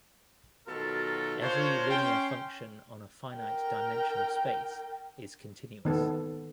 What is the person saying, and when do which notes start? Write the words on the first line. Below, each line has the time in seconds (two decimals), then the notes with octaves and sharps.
Every linear function on a finite-dimensional space is continuous.
0.68 B2 D#3 F#3 F4 A4 A#4
1.42 D4 F4 A#4 C5 C#5
1.90 C#4 G5 C6
3.36 A#4 G5
5.85 D#3 B3 A4